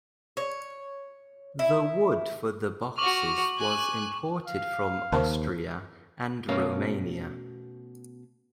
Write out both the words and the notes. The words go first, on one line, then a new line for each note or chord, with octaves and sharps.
The wood for the boxes was imported from Austria and Romania.
C#5
E4
F#4 C#6 D6 F6 F#7
G#5 F#6
F5
D#2 A#4 C5 A5
B2 A3 C#4 A#4 C#5 F5